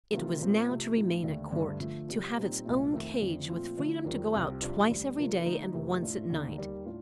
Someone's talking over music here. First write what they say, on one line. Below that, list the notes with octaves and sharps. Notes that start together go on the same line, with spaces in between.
It was now to remain at court, to have its own cage, with freedom to go out twice every day and once at night.
C3 D#3 A3 C4 F4
A#2 F3 A3 C4
C3 F3 A3
A2 F3 A3 C4 D#4
D#2 D3 A3 D4
G2 D3 A3
D3 F3 A3
C3 G3 C4 F4
A#2 G3 C4 D#4
C2 A#2 A3
F2 D#3 A3
F2 D3 F3 A3
A#2 F3 A3 C4 F4
D3 F3 A3 D4
F2 D#3 G3 C4 F4
C2 C3 G3 C4 F4
F2 C3 G3 D4 F4
D2 D3 G3
C3 F3 A#3 D4 F4
D3 A3 D#4
F2 C3 D#3 A3
A2 A3 D4 F4
D#2 D3 A3 D#4
D#2 D#3 G3
A2 D4 F4